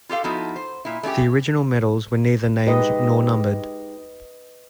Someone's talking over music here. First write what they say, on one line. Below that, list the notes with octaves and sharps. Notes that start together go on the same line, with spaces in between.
The original medals were neither named nor numbered.
F4 G4 A4 F5
F3 B3 D#4 E4 F#4 A4
C5
A#2 E4
A3 C#4 E4 G4
G#3 D#4 G4 B4 D#5